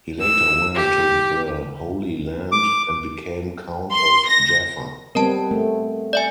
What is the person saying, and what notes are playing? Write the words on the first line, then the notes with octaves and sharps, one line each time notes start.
He later went to the Holy Land and became Count of Jaffa.
E6
G4
D6
C6
A#6
G3 B3 C4 A#4 D#5 A5
A3
D5 E5 G#5